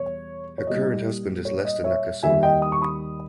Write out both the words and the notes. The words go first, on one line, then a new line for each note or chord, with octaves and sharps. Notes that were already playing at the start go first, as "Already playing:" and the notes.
Her current husband is Lester Nakasone.
Already playing: E2 B2 G3 C#5
C#5
A#2 G3 A#3 E4 D#5
C#5
D#5
C#5 E5
D#2 D#3 G3 E5 G#5
D#5 G5
D#6
C#6
B5 D#6